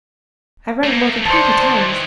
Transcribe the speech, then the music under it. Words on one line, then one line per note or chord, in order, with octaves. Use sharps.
I rang more than twenty times.
A3 A#3
D#3 E3 C5 D5 A5